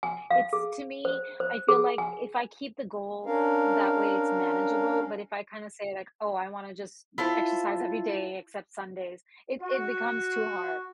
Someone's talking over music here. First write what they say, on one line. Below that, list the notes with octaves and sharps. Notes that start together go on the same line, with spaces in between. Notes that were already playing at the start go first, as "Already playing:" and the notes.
it's to me, I feel, like, if I keep the goal that way, it's manageable, but if I kinda say, like, "Oh, I wanna just exercise every day except Sundays," it it becomes too hard.
G#5
F5
G#4
C5
C5
G#4
G#5
C#4 D4 A#4 F5
E4 F4 A4 C5
F#4